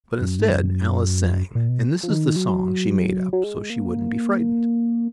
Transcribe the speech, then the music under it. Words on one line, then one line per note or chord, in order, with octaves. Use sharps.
But instead Alice sang, and this is the song she made up so she wouldn't be frightened.
F#2
G#2
F#2
F2
F#2
A#2
B2
F3
D#3
F#3
F#3
G#3
A#3